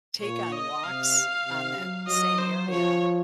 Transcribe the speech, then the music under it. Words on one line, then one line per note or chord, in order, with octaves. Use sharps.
take on walks on that same area,
A#2 C#5
D#5
C3 F5
C3
F#3
F#3 D#5
C5
F3 C#5